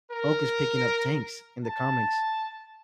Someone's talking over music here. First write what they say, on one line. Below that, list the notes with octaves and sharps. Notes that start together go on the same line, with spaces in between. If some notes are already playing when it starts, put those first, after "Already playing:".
Hulk is picking up tanks in the comics,
A#4
A5